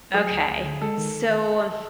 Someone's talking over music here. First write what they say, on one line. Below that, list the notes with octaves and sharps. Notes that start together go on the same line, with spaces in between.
Okay. So, um
F#3 G#4
D2
D2
D3
G#3 A4
D#3